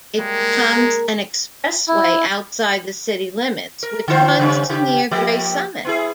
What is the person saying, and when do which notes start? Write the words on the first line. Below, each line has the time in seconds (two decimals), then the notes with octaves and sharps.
It becomes an expressway outside the city limits, which runs to near Gray Summit.
0.18 G3 G#3 A#3 C#5
0.56 G#4 A#4
1.88 E4
3.83 A#4
4.08 D3 F4 C5
4.39 C#3 G3 C#4
4.70 C#3 G4
5.11 F3 A#3 G4
5.85 B3 E4 G#4